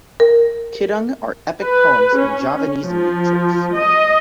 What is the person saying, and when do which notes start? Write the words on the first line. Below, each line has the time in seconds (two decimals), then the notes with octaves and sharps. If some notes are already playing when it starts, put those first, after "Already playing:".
Kidung are epic poems in Javanese metres.
0.20 A#4
1.62 B4
2.17 C#4
2.84 F3
3.77 D#5